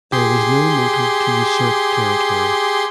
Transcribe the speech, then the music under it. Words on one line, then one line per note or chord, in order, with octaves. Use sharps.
There was no motive to usurp territory.
G4 G#4 C6